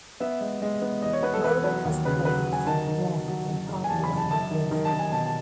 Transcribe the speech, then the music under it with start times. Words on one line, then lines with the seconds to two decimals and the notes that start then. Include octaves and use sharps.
Moeder has played for Madang in Papua New Guinea.
0.20 B3 E5
0.41 G#3
0.62 G#3
0.82 B3
1.02 E2 D#5
1.13 C#5
1.22 B3 B4
1.34 A4
1.44 E2 B4
1.64 F#3 B4
1.85 D#2
2.05 C#3 B4
2.25 F#3 B4
2.47 F#3
2.52 G#5
2.66 D#3 A5
2.87 D#3
3.07 F#3
3.28 F#3
3.48 F#1
3.68 F#1
3.84 G#5
3.89 E2 A5
4.04 B5
4.10 F#1
4.17 A5
4.31 F#2 A5
4.51 D#3
4.71 D#3
4.85 A5
4.92 D#3
4.99 G#5
5.12 B2 A5
5.26 A5